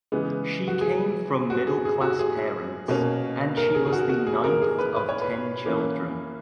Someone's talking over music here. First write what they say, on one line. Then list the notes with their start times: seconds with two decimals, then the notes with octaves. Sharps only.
She came from middle class parents and she was the ninth of ten children.
0.12 C#3 E3 G#3 B3
0.68 F#4
0.81 G#4
1.50 F#4
1.67 G#4
1.85 G#4
2.01 F#4
2.19 G#4
2.88 B2 A#3 C#4
3.57 A#4
3.75 G#4
3.85 G#4
3.93 F#4
4.09 F#4
4.27 G#4
4.44 A#4
4.62 G#4
4.79 B4
4.96 B4
5.09 C#5
5.22 B4
5.66 E3 A#3 C#4